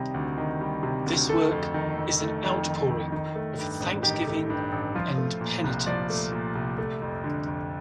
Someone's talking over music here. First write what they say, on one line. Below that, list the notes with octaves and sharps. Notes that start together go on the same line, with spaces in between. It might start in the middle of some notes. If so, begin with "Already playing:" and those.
This work is an outpouring of thanksgiving and penitence.
Already playing: C3 D#3 G3 D#5
D2
D#3
G3
C3
D2
A3 A4
F2
D#3
F2
A3
F2
D#3
F2
D#3
A3
G2
A1
D#3 G4
A3
G2
A1
F3 F4
A3
A#2
C2
F3 D5
A3
A#2
C2
A3
F2
D3
F2